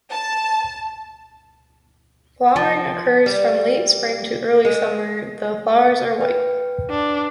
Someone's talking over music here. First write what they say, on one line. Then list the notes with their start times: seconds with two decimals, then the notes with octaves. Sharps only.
Flowering occurs from late spring to early summer the flowers are white.
0.12 A5
2.56 F3
3.26 G3
4.65 G#3
6.21 B4 G5
6.90 D4